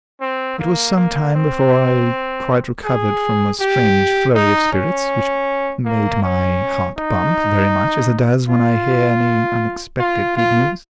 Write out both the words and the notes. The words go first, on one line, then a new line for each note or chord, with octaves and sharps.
It was some time before I quite recovered from a strange flurry of spirits, which made my heart bump very much as it does when I hear any unexpected good news.
C4
A#3
A#3
C4
G#4
G4
D#4
C#4
A#3
C#4
D#4
F4
F4
F4